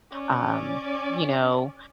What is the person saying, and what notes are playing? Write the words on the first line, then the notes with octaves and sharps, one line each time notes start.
um, you know,
C#4 D5